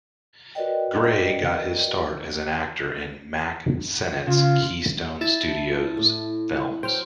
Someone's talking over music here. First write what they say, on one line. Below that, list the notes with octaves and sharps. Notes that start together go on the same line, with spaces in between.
Grey got his start as an actor in Mack Sennett's Keystone Studios films.
F#4 A#4 B4 D5 D#5 G5
C#3 F4
E4 A5
A2
F#3 C5 G5 F6